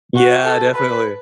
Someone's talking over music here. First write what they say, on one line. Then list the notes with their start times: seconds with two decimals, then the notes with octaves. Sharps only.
Yeah, definitely.
0.16 F#4
0.46 A4
0.75 B4